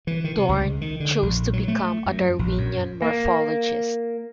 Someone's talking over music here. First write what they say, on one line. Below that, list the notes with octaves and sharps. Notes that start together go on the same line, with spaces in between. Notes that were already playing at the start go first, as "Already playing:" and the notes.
Dohrn chose to become a "Darwinian morphologist".
E3
D#3
C3
C#2
D#3
D3
A#1
F#3
A3
F#2
A#1
F#2
A#3